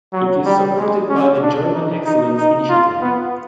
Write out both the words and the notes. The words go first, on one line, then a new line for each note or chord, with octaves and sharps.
It is supported by the German Excellence Initiative.
F#3
G3
G#3
C#4
D4
D#4
D#4
D#4
F4
B3